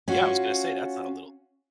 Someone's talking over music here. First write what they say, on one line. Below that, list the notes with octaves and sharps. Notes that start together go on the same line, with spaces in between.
Yeah, I was gonna say that's not a little thing.
C#4 F4 F#4